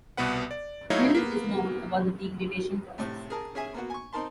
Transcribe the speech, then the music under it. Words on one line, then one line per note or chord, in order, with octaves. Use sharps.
Little is known about the degradation process.
C2 B2 B3 B4 F#5
D5
F#3 A3 D#4 E4 C#5 F5
A#3 B3
A2 C3 A3
G#4 A#4 A5
C#4 G#4 E5 G#5
A#3 B3 F#4
G#5 C#6
C4 D#4 A#4 A5 C6